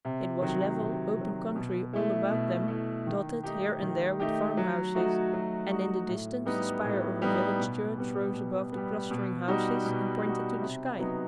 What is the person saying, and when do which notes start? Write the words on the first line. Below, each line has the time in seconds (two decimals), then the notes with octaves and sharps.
It was level, open country all about them, dotted here and there with farmhouses, and in the distance the spire of a village church rose above the clustering houses and pointed to the sky.
0.05 C3
0.42 D#3 F#3
0.80 C3
1.17 D#3 F#3
1.56 B2
1.93 A3 E4
2.30 B2
2.68 A3 E4
3.07 D#3
3.43 A3 D#4 G4
3.82 D#3
4.20 A3 D#4 G4
4.57 F#3
4.95 A3 D#4 F#4
5.33 F#3
5.71 A3 D#4 F#4
6.08 A2
6.45 G3 B3 D#4
6.84 A2
7.22 G3 B3 D#4
7.59 B2
7.97 G3 B3
8.34 B2
8.72 G3 B3
9.11 B2
9.48 G3 D#4 F#4
9.86 B2
10.23 G3 D#4 F#4
10.61 C3
10.99 F#3 B3 D#4